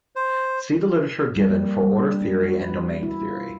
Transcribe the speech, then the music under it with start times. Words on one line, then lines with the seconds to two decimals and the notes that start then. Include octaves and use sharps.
See the literature given for order theory and domain theory.
0.16 C5
1.36 G3
1.50 A#3
1.83 G3
1.98 D4
2.21 C#4
2.43 F#4
2.61 B4
3.03 E4
3.22 F4